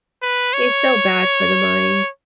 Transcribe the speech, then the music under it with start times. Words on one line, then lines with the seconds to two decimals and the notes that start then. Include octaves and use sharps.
it's so bad for the mind.
0.22 B4
0.53 C#5